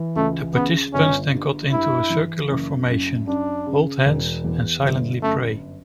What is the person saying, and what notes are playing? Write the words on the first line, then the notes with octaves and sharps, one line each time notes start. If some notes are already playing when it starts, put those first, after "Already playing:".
The participants then get into a circular formation, hold hands, and silently pray.
Already playing: E3
C#2 A3
C#3 B3
G1 C#4
G2
G2 E4
E3
F#1
F#2
F#2 D4
C#3
E1
E2
G1
F#2 A3